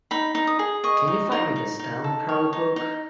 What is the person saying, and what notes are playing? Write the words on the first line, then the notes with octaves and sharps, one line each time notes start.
Can you find me the Stand Proud book?
D#4 B5
D#4
D#6
G#4
D#5 C#6
D#4
D#4
D#4
D#4
A4
C#5
D#4
D#4